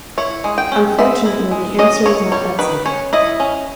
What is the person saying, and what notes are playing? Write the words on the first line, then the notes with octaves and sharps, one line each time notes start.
Unfortunately, the answer is not that simple.
E4 C#5
G#3
G5
C#4
G#3 E5
E4
G#3
C#4 D#5
E4 C#5
G3 C#5
D#3 B4
C#4 C#5
E4 D#5
C#4